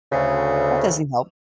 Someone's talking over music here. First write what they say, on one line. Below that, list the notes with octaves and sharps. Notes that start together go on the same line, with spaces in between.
That doesn't help.
D2 C#3